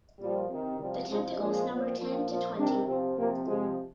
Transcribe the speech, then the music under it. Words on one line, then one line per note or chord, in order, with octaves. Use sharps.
The tentacles number ten to twenty.
A#2 F3 G3
C3 D#3
C3 F3 G3
C3 F3 G#3
A#2 F3 G#3
A#2 F3
A#2 F3
A#2 F3
C3 D#3 D4
C3 F3 C4
C3 F3 A#3
C3 F3 G#3